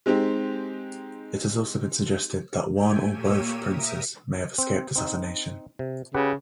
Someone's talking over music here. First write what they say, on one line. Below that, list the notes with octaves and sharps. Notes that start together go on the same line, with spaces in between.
It has also been suggested that one or both princes may have escaped assassination.
G#3 C4 D#4 G4
A3 G5 G#5
A#2 A#3 G4 C#5 E6 D#7
A#4 E5 D#6
C4
C4 D#4
C3
C#3 G4 B4 F#5